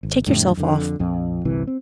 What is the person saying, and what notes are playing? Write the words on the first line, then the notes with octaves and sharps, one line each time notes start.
Take yourself off.
G#1
F2 A2 D3 G3
F2 D3
A#1 F2
G1 C2 C3 E3
C4